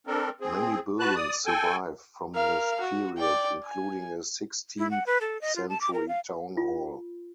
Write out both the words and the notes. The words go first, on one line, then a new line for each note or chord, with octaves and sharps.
Many buildings survive from this period, including a sixteenth-century town hall.
C4 D4 A4 A#4
C4 G#4
F#4 B4 A5 F#6
D5 D#6
A4 G5 G#5
A#4 F5
F#4
D5 G5
G#5
E4
F#5
B4
A4
D#5
F4
A5
D6
A#4
F5
F4